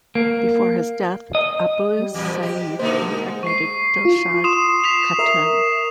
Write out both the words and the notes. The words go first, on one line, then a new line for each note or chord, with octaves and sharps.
Before his death, Abu Sa'id impregnated Dilshad Khatun.
A#3
D#5
G3
E2 A#2 G4
C5
G4 D#5
B2 D3 A#3 D#4 C5
G#3
C#6 C7
F4
C6 D#6 E7
B6 C7 F7
A#4 E5